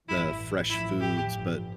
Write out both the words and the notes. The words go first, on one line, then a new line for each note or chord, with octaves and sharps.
the fresh foods, but
A1 G2 E3 E4
A1 A2 F3 E4
G4
G1 G2 F3